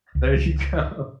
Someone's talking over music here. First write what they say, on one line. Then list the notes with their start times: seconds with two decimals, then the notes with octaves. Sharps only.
There you go.
0.15 C#2